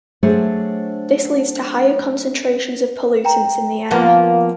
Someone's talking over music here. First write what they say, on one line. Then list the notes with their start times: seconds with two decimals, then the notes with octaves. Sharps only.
This leads to higher concentrations of pollutants in the air.
0.23 F#3 A3 D4 G#4 C5 C#5
3.25 G5 A#5
3.91 F3 A#3 B3 F#5